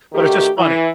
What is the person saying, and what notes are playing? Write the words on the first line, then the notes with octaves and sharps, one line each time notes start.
But it's just funny.
D2 D#3 A3 G4
E3